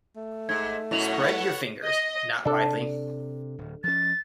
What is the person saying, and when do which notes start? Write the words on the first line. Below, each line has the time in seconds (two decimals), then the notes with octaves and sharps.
Spread your fingers, not widely.
0.16 A3
0.49 G#2 G#6
0.91 F#2 B2 F#3 E4 C#5 F#5 F7 F#7
1.24 A4 B4
1.83 D#5
2.45 C3 D4 A4
3.58 D1
3.84 F3 C#4 A6